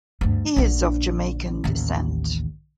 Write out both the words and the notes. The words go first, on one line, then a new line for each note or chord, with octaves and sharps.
He is of Jamaican descent.
D2 G2
A#1 D3
A1 D#2